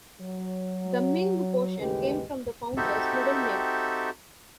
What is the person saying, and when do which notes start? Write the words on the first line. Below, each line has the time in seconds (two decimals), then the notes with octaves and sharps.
The Ming portion came from the founder's "middle name".
0.20 F#3
1.78 A1 D#2 C#3 G#3 G4 B4
2.77 C4 D#4 F#4 G4 A4 E5